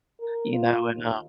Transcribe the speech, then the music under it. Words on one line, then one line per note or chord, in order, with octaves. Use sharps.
you know, and, uh
A#4
F4
D#2